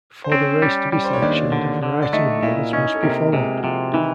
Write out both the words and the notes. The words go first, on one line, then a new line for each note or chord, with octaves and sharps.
For the race to be sanctioned, a variety of rules must be followed.
C5
C4 C#4 C#5
G3
G3
C5
C#5
D#2 D4 D5
D3
D3
D5
A3 D#4 D#5
A#2 E4 E5
C#4 D#4 D#5
A4
C3 A#3 A#4
C3 G#3 G#4
F#4
C3 F3 F4
D#3 E3 D#4